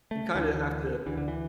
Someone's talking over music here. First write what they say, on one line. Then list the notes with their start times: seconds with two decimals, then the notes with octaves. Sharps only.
you kind of have to
0.11 A3
0.35 D2 D3 E3
1.06 D2 D3 E3
1.17 D3
1.28 E3